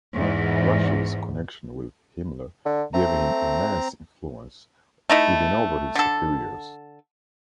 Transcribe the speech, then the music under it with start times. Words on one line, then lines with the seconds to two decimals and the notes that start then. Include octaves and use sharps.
Rascher's connection with Himmler gave him immense influence, even over his superiors.
0.15 E2 G#2
2.65 D3
2.94 A3 C4 A#5
5.10 A3 D#4 E4
5.95 D3 A4